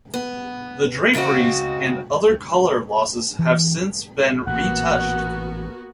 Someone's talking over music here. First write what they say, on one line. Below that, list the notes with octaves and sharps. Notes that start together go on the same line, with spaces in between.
The draperies and other color losses have since been retouched.
B3
G#2 C#3 G#3 C4 F#4
E3
A1 A#2 A#3 B3 F#4 F#5